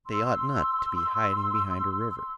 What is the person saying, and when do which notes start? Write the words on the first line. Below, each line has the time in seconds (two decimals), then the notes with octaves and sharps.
They ought not to be hiding behind a river.
0.07 C6 E6